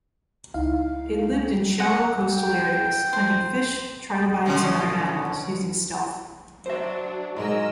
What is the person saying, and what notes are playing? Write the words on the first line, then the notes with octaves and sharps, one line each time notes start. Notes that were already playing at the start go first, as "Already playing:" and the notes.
It lived in shallow coastal areas, hunting fish, trilobites and other animals using stealth.
C#2 D#4 E4 F5
F#5
G5
C5
B2 D3 C#4
F#3 D4 C5 E5
G#2 F#3 G#3 A#4 D#5 E6